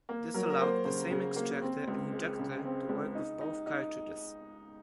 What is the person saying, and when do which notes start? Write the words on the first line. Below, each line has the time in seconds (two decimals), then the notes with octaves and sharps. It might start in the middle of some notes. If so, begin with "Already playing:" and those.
This allowed the same extractor and ejector to work with both cartridges.
0.09 A#3
0.34 F#3 A#4
0.50 A#4
0.61 A#3 C5
0.85 C#3 C5
1.11 C#3
1.36 A#3
1.62 C4
1.88 C#2
2.13 G#3
2.39 C#3
2.65 C4
2.89 C#2
3.15 D#4
3.41 D#4
3.67 D#4